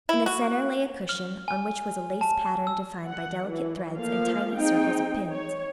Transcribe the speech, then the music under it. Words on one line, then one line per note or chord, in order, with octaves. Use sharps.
In the centre lay a cushion on which was a lace pattern defined by delicate threads and tiny circles of pins.
E4
F#4
F6
G#5
A5
E6
F#5
E3
F3 A3 A#3 F5
C4 D#4 G#4 G5
C#5